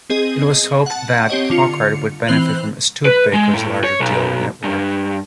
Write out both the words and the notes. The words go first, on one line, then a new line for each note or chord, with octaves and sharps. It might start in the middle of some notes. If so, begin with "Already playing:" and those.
It was hoped that Packard would benefit from Studebaker's larger dealer network.
C4 G#4 D#5
F#5 A5
C4 G4 C#5 D#5
D3 F4 C#7
E3 C4 C5 F#6 F7 F#7
B4
G#3
A2
C#5
B1
G2